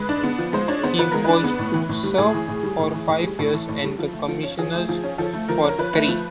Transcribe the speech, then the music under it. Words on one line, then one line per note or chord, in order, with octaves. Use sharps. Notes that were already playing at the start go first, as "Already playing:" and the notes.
He was to serve for five years and the Commissioners for three.
Already playing: G#3 B4
D4
B3
F3
G#3 C5
D4 C#5
B3 C5
F3 B4
G#3 A#4
D4 B4
B3
A2
E3
A2
G3
A2 G#4
E3
A2
G3
A2
E3
A2
G3
A2 A4
E3
A2
G3
F3
A3
F3
C#4
F3 G#4
A3
F3
C#4
F3 A4
A3
F3 A#4
C#4
A#4
F3 B4
A3
F3